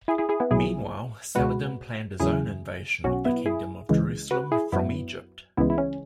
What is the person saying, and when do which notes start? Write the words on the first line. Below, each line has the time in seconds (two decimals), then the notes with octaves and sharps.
Meanwhile, Saladin planned his own invasion of the Kingdom of Jerusalem from Egypt.
0.08 E4 G#4
0.18 E4 G#4
0.29 E4 G#4
0.40 B3 E4
0.51 B1 B2 F#3 E4 G#4
1.35 C#2 B2 G#3 F#4 B4
2.20 E2 C#3 F#3 E4 G#4
3.04 B1 B2 F#3 C#4 F#4
3.25 B3 E4
3.46 E4 G#4
3.89 C#2 C#3 E3 G#3
4.31 F#4 B4
4.52 E4 G#4
4.72 F#2 F#3 B3 E4
5.57 C#2 C#3 E3 G#3 B3 E4
5.70 E4
5.78 C#4